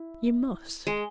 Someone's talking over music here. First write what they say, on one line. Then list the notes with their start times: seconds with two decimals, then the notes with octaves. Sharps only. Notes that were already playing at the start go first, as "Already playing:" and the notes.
You must.
Already playing: E4
0.87 G#3